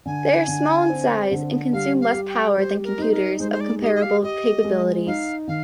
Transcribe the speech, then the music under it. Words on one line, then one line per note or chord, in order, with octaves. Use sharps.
They are small in size and consume less power than computers of comparable capabilities.
D3 G#5
D3
C4
D3
G3 F5
F5
G4
G5
G3 C5
A#4
D#4 C5
A#4
G#3 C5
C5
D5
G4 D#5
D#5
F5
G4 D#5
G#3
D#4 F5
D#3 F5